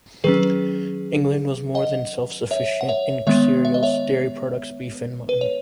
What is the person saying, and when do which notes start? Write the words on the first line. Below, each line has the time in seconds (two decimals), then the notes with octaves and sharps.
England was more than self-sufficient in cereals, dairy products, beef and mutton.
0.24 D#3 F#3 C#4 G#4 B4
1.75 D#5 F#5
2.51 C#5 E5
2.81 F#5
2.89 C#5 E5
3.27 D#3 G#3 B3 C#5 E5
3.65 E5
3.74 D#5
3.83 C#5 E5
5.29 B4
5.41 C#5